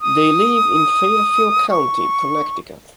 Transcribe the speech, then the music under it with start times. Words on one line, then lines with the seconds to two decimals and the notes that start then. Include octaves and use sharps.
They live in Fairfield County, Connecticut.
0.01 D#6
1.70 C#6